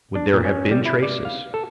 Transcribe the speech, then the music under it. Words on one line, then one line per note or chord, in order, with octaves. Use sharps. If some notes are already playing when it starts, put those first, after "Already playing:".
"Would there have been traces?"
D4
A#2
C#4
G3
E4
D5
F5
A4